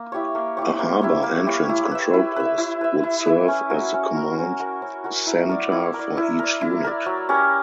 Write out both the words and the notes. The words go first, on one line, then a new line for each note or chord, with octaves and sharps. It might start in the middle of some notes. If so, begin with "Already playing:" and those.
A Harbor Entrance Control Post would serve as the command center for each unit.
Already playing: A#3
E4 G4 C#5
A#3
E4 G4 C#5
A#3
E4 G4 C#5
A#3
E4 G4 C#5
E4
B4 E5
E4
B4 E5
E4
B4 E5
E4
B4 E5
C#4
F#4 A#4
C#4
F#4 A#4
C#4
F#4 A#4
C#4
F#4 A#4
E4
A#4 D5
E4
A#4
D5
E4
A#4 D5
E4
A#4 D5
F#3
C#4 G4 A#4